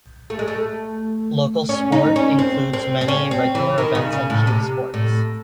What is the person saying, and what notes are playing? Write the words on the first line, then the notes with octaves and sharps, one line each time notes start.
Local sport includes many regular events and team sports.
A3
G#3
A3
C#4
D#4
C#4
C4
C4
C4
C#4
C4
E3
D#3
C#3
C#3
A2
C3
A2